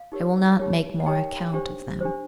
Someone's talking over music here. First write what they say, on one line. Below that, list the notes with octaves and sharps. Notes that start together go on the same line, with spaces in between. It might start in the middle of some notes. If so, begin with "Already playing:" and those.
I will not make more account of them.
Already playing: F5
D#4 G4 A#4 C#5
D#4 G4 A#4 C#5
F#5
D#4 G4 A#4 C#5 G5
D4 G4 C5
D4 G4 C5